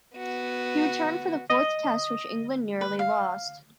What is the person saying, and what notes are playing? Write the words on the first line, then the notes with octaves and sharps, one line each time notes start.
He returned for the fourth Test which England narrowly lost.
B3 F#4
D#5
B4
F5